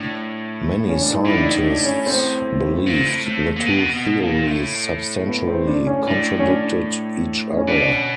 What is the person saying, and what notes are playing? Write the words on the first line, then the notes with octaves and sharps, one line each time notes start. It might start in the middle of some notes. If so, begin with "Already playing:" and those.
Many scientists believed the two theories substantially contradicted each other.
Already playing: A2 D4
C#4
D4
D#4
A2 E4
D4
D#4
D4
C#4
C4
A#2
A2
A2
A#2
B2
B2
A#2
A2
B3
C4
D4
C#4
A2 D4
C#4
D4
C#4
B2 D4
C#4